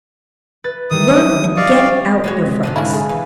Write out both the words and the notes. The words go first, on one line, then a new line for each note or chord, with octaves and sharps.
Run and get out your frocks.'
B4 A6
D#3 G3 E4 D#6
F#3 D4 D5
G3 D5 D#5 F5 C#6
G#3 F#4 C#5
C3
G#2 D3 D4
E3 E4 F5 G#5
G#4
E3